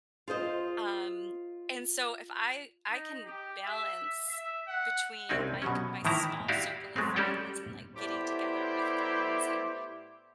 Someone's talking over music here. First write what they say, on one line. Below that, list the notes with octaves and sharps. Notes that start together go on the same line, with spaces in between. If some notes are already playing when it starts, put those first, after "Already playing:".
Um, and so if I I can balance between, like, my small circle of friends and, like, getting together with friends and
F4 G#4 C5 D#5
D#4
G4
E5
E5
F#5
C2 C4 C#4 D#4
B2 F#3 C#4
A2 D#3 E3 E4 A#5
E4 F#4 G4 D5 F5
F#3 G#3 A3 C4
G3 C#4 G4 A4 D5 G5
A2 B3 E4 G4 C5 D5